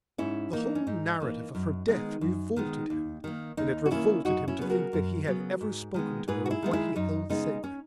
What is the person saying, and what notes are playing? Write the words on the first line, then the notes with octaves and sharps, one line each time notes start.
The whole narrative of her death revolted him and it revolted him to think that he had ever spoken to her of what he held sacred.
G#2 C#4 E4
E3 A#3 D#4
C#4
G#2 D#4
E3 A#3
F#2
D#3 G#3 B3
F#2
D#3 G#3 B3
D#2
D#3 A#3
D#2 D#4
F#4
D#3 A#3 C#4 E4
F#2 D#4 F#4
C#4 E4
C#3 F#3 B3 B4
F#4 A#4
F#2
C#3 F#3 B3
G#2
D#3 G#3 B3
G#2 G#4 B4
F#4
E4 G#4
D#3 G#3 B3
E4 G#4
F#2 D#4
C#3 G#3 B3 D#4
C#4